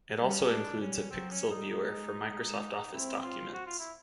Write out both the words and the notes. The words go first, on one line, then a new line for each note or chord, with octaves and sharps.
It also includes a Picsel Viewer for Microsoft Office documents.
G3
C#4
G#3 D4
G3 C#4
F#3 C4
C#4
G3
D#4
G#3 D#4
G#3
C4 E4
F4
F#4
F4
E4